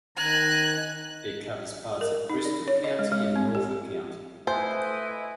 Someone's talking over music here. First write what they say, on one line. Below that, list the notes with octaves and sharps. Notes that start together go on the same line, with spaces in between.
It covers parts of Bristol County and Norfolk County.
D#3 G#5 A#5 F#6
A#4
D#4
D5
C#5
D#5
G#3
G#3
C4
G4
A3 E4 B4 C5 D#5 G#5